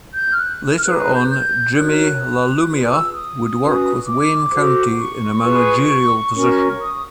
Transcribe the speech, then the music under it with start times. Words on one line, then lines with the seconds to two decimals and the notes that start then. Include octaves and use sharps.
Later on Jimi LaLumia would work with Wayne County in a managerial position.
0.15 G6
0.31 F6
0.37 F#6
0.78 F6
0.83 D#4 G#4 B4 F#6
0.99 F#6
1.14 G6
1.29 G6
1.75 D4 F#4 A#4 C#5 F#6
2.67 F4 G#4 B4
2.91 E6
3.13 D#6
3.59 C#4 F#4 B4
4.05 D6
4.51 F#4 A4 C5
4.96 C#6
5.43 F4 G#4 B4
6.34 C#4 F#4 A#4 C#5
6.80 D#6